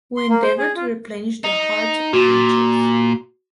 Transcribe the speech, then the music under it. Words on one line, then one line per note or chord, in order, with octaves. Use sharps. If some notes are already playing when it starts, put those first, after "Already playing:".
We endeavor to replenish the hearts of creatures.
C6
A#3
C5
G#4
F4
D#4
A#2 F#4